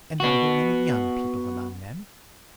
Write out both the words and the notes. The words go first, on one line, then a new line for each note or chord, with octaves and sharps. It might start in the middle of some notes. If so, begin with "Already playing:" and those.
"And are there any young people among them?"
B3 F#4